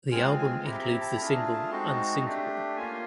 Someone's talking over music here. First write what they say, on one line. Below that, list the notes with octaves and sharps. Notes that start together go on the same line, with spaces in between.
The album includes the single "Unsinkable".
G#3 C4 F4 G#5
G#5
C4 E4 G4 A#5
A#5
A5
A3 D4 F4 G#4 A#5
A#5
A5
G#3 C4 D#4 F#4
A3 D4 G4
A#3 C#4 F4 G#5